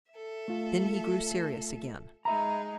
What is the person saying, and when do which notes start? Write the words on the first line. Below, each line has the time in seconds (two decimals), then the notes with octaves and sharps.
Then he grew serious again.
0.11 A4 E5
0.48 A3 F4
2.25 G#3 D#4 G#4 E5 A#5 B5